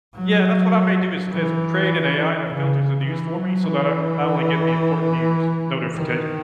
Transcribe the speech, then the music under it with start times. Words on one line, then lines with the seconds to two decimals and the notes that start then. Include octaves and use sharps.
Yeah, that's what I may do is is create an AI that filters the news for me so that I I only get the important news notifications.
0.14 F#3
1.31 E3
2.48 C#3
3.05 E3
3.35 F#3
3.63 E3
5.96 D#3